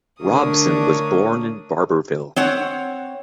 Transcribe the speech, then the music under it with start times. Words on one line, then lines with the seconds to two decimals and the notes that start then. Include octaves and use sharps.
Robsion was born in Barbourville.
0.21 D3 A3 D4 A#4 C#5 D#6
2.36 C4 C#5 F#5